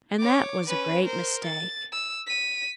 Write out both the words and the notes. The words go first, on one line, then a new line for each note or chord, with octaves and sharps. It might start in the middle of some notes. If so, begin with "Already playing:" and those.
And that was a great mistake.
C#5 D6
C#4 B4
A#4 C5
A6
E6
B6 D#7